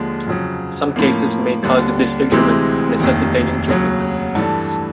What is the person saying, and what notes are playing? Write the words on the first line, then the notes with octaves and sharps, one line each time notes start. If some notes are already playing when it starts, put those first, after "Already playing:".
Some cases may cause disfigurement, necessitating treatment.
Already playing: D#2 D3 F3 G#3
F2 C#3 F#3
A2 F3 A#3
D#2 D3 G3
D2 C3 E3 G#3 C4
F1 D#2 D#3
D#2 C#3 F#3
G2 E3 A3 D4